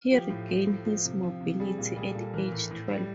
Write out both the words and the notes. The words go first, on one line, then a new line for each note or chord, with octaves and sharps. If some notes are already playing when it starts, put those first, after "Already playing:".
He regained his mobility at age twelve.
F3 G4
A2
F3
A2
F3
C3
F3
C3
G3 G#4
A#2
G3 G#4
A4
A#2
E3 A#4
A2
A2
G3